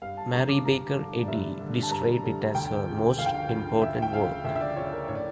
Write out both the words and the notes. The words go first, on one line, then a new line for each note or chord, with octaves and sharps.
Mary Baker Eddy described it as her most important work.
G2 F5
A5
D3 G3 A#5
D6
G2 A#5
D3 G3
D5
G2 E5
D3 G3
A5
G2 A#5
D3 G3
D2 G5
C#3 F3
D2 F5
G5
F5
C#3 F3
D2 E5
G5
C#3 F3 F5
D2 E5
E5
D5
C#3 F3 C#5
A#4
A2 C#5
D5